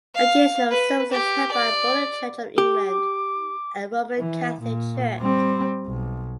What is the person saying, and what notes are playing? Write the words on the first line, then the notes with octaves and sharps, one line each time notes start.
Occasional services held by both the Church of England and Roman Catholic Church.
F5
B4
G4
D5
G4 D6
E3
A#2
G3 C4
B1